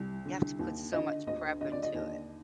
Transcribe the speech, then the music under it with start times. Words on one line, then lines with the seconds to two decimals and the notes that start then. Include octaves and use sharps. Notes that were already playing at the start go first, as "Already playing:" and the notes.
you have to put so much prep into it.
Already playing: C2
0.26 D3
0.59 D#2
0.93 D3 D#5
1.27 D2 D#5
1.60 D3 D#5
1.72 D5
1.83 D#5
1.94 D#2